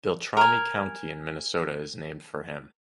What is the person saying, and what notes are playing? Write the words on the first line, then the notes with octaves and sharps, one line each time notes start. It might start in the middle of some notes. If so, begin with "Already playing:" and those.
Beltrami County in Minnesota is named for him.
A#4 G#5